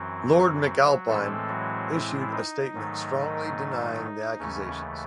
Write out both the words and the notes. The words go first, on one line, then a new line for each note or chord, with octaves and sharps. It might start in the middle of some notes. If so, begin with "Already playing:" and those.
Lord McAlpine issued a statement strongly denying the accusations.
Already playing: F#2 E3 F#3 C4 F#4
A2 E3 G#3 A3 C4 A4
F#3 F#4
E3 E4
D#4
G#2 D#3 F#3 A3
D#2 C#3 E3 A3 C#4